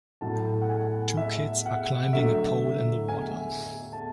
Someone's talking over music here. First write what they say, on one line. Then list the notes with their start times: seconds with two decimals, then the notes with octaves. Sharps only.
Two kids are climbing a pole in the water.
0.21 A2 F#3 A3 A5
0.61 F#5
0.69 G#5
1.17 E5
1.66 F#5
2.13 D3 F#3 A3 E5
3.08 G#5
3.93 A5